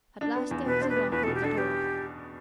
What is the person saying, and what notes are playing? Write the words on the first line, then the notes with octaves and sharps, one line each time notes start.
At last there was a knock at the door.
D4
B3
E2
B2 B4
D4 C5
B4
B3
E2 B4
B2 A4
G4
D4 A4
B3 G4